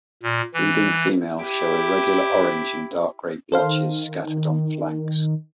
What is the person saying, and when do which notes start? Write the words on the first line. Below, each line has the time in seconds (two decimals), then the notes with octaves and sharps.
Breeding females show irregular orange and dark grey blotches scattered on flanks.
0.23 A#2
0.54 E3
1.43 E4 G4
3.52 D#3 A4 C5 F5